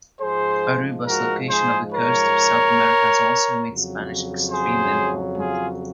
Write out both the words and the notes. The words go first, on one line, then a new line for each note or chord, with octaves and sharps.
Aruba's location off the coast of South America has also made Spanish extremely important.
G#2 F3 G#3 G#4 C5
F#4 A#4
G#4 C5
A#4 C#5
F2 C#3 F#3
G#4 C5
F4 G#4